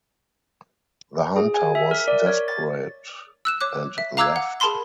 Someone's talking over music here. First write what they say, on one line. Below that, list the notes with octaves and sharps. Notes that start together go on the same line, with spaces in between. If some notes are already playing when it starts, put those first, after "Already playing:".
The hunter was desperate and left.
G#4
G#5
E5
A#4
D5
C#5
A6
E6 F#6 E7
C#5 D6 F#6
E5
F5 A#5 D6 E6 F#6 G#6
F#5
G#4 A#4 A5 B5 C6 G7